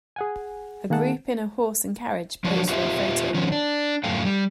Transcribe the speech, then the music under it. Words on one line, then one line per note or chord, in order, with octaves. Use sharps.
A group in a horse and carriage pose for a photo.
G#4 F#5 G#5
D#3 A#3 G#4 F#5 A5
F3 F#3 D4 F#4 B4 C#5
F4 G4 B4 C5 D#5 E5
D#3 F3 C#4
D4
F#2 A2 A4 F5 G5
G3